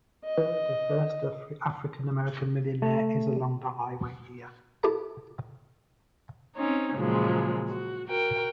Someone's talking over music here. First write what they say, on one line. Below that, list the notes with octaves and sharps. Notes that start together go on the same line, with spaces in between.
Walker, the first African-American millionaire, is along the highway here.
D#5
A3
E4 G4 A4 A#5
C4 C#4 D#4
A#2 C#3 F3 F#3 G#3
F#4
F#4 A#4 G5